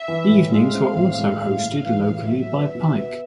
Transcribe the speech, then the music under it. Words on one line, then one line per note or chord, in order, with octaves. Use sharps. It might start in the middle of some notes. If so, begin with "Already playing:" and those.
Evenings were also hosted locally by Pyke.
Already playing: E5
E3
A2
G#3 F5
C4
A2
G#3
A2 F5
A2
E3
A2
F#3 E5
B3
B2
B3